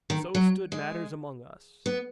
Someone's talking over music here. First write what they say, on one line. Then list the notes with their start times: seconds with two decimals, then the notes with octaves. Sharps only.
So stood matters among us.
0.10 D#3
0.35 F#3
0.72 G#3
1.86 B3